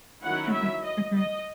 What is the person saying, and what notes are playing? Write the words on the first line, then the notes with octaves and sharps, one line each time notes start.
Mhm, mhm.
D#3 F#3 C#4 E4 F#5
E5
D#5
D#5